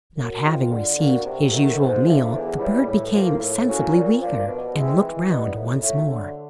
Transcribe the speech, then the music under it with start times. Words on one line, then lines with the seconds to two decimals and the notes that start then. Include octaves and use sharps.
Not having received his usual meal the bird became sensibly weaker, and looked round once more.
0.16 F#2
0.43 D#3 G#3 C4 F4
0.71 D3
0.97 G3 A#3 D4 F#4
1.24 C3
1.50 D#3 F#3 A3
1.78 G#2
2.05 F3 A3 D4
2.32 E2
2.58 C#3 E3 G3
2.85 A2
3.12 F3 A#3
3.39 A2
3.66 F#3 A#3 C#4 F#4
3.93 A#2
4.20 F3 A#3 D4
4.47 B2
4.74 G#3 C4 E4
5.01 E3
5.28 G3 B3 D#4
5.55 A2
5.81 F#3 A3
6.08 D3